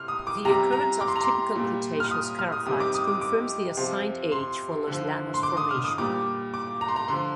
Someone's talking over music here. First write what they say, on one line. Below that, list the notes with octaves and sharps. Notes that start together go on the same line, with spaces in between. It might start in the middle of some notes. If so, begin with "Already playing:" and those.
The occurrence of typical Cretaceous charophytes confirms the assigned age for Los Llanos Formation.
Already playing: C3 F6
D#6
D6
C3 G3 A#5
A#5
D6
C6
A#5
C6
A#2 G3
F6
D#6
F6
D#6
C3 D#3 G3 D#6
D6
D#6
D6
D6
C3 F3
C6
D3 F3
C6
D6
D#6
F6
D#6
A#2 G3 D6
D6
A#5
C6
A#5
D3 F3 C6